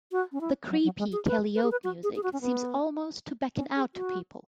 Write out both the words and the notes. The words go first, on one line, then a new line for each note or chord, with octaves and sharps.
The creepy calliope music seems almost to beckon out to people.
F#4
C#4
E4
F#3
F#3
G#3
G#4
B4
B4
G#4
B4
F#4
G#4
G#4
F#4
C#4
B3
C#4
G#4
F#4